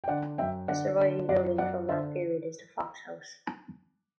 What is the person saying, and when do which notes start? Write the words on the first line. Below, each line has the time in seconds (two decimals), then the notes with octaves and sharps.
A surviving building from that period is the Fox House.
0.04 G5
0.08 D3 D5 F#5
0.38 F#2 E5 G5
0.68 D3 D5 F#5
0.98 D3
1.29 F#2 D5 F#5
1.58 F#2 D5 F#5
1.89 D3 C5 E5